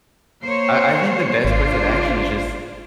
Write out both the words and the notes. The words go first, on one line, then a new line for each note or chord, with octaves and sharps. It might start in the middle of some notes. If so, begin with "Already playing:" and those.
I I think the best course of action is just
A#3 C5 C#5
G#1 D4 F4 C5